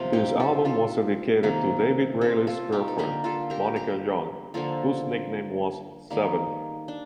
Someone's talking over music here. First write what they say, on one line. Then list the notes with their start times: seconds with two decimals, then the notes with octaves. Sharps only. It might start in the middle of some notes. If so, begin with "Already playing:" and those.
This album was dedicated to David Reilly's girlfriend, Monica Young, whose nickname was Seven.
Already playing: C3 F3 A#3 F4
0.13 D#4 G4
0.39 F4 A4
0.65 F4 A4
1.43 C3 D#3 A#3
2.21 F4 A4
2.47 F4 A4
2.72 D#4 G4
2.88 A4
2.98 D3 G3 A#3 G4 A#4
3.24 F4 A4
3.50 G4 A#4
3.76 G4 A#4
4.54 D3 F3 A#3 F4 A4
6.10 D#3 G3 A#3
6.88 D4